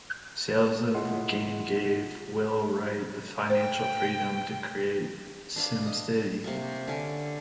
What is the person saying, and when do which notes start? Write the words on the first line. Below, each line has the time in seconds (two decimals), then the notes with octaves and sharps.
Sales of the game gave Will Wright the financial freedom to create SimCity.
0.95 E4 F4 G#4 D#5 F#5 C6
3.50 C5 G5
5.56 D4 B4 F5
5.86 D#5
6.44 C3 A#3 C#6
6.88 D3 C#4